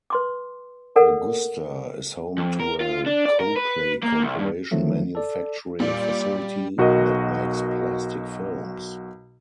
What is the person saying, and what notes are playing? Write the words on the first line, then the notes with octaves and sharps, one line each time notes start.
Augusta is home to a Clopay Corporation manufacturing facility that makes plastic films.
B4 C6 D6
A4 A#4 D5 F#5
F2
A#4
F4
D4
D5
A#4
B4
A#3
C2
G2
D3 D#3 F3 F#3 A3 C4
A4 D5
A#2 G3 D5
B1 F#4 A#4 D#5